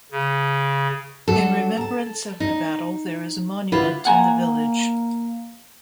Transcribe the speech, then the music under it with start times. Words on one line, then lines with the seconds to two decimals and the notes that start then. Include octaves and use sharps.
In remembrance of the battle there is a monument in the village.
0.12 C#3
1.28 F#3 D4 F#4 A4
1.77 A5 A#5
2.40 D#4
3.72 D3 E4 F4 B4
4.05 A#3 F#5 G#5 A#5